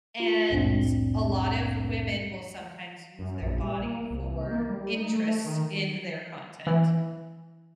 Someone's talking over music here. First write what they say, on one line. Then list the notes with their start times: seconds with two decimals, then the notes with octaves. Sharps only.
and a lot of women will sometimes use their body for interest in their content.
0.20 F4
0.50 C2 F2 A2 C4 D4
3.19 F#2
3.42 A#1
3.62 G3
3.81 A#3
4.11 C2
4.51 A#3
4.69 G3
4.95 D#4
5.12 A3
5.45 D#3
6.67 E3